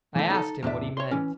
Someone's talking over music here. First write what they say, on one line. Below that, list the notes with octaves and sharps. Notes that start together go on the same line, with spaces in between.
I asked him what he meant.
E3 A3
D#4 A4
E2 A2 D4 E5
C#5 C6
E3 C#4